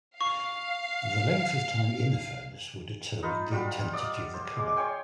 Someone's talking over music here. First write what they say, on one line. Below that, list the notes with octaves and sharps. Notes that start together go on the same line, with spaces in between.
The length of time in the furnace will determine the intensity of the color.
F5 C#6
D#4 F4 B4
G3 F4 F#4
D5 D#5
C5
G#3 D6
C5 C#5 G5 G#5